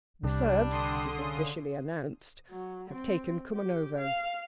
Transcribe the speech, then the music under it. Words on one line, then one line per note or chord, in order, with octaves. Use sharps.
The Serbs, it is officially announced, have taken Kumanovo . . .
C2 G3 D4
D3 C6 D#6
C#3
F#3
C4
G4
F5